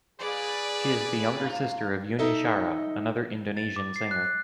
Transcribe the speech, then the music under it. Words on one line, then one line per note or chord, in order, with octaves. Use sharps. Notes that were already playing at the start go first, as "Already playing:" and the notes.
She is the younger sister of Yuni Shara, another Indonesian singer.
A#2 G#3 G#4 B4 D5
G2 F4
D#4 A4 D#5 E5
A6
D6
C7
F#6
F#6